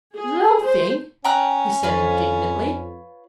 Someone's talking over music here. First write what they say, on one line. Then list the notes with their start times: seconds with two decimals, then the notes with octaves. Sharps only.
"Loafing!" he said indignantly.
0.16 G#4
0.64 C5
1.24 C#4 G5 A#5 F#6
1.83 F2 F4 B4 C#5